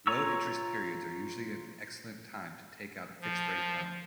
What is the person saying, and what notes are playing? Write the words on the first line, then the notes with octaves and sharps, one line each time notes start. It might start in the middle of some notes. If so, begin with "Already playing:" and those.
Low-interest periods are usually an excellent time to take out a fixed rate loan.
F4 C#5 A#5 C#6 E6
F3